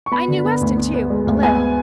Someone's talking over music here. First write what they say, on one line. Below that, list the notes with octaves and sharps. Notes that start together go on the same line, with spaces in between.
I knew Weston, too, a little.
C#6
B3 B5
D3
B3
D2
B3
B3
G#3
D2
B3 G#5